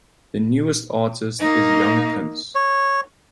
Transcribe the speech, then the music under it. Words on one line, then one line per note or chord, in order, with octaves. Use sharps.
The newest artist is Young Prince.
A#3 D#4
C#5